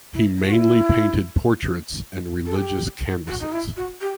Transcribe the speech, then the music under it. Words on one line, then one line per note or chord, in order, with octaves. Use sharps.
He mainly painted portraits and religious canvases.
E4
E4
F#4
E4
A4
G4
F#4
D#4
E4
F#4
G4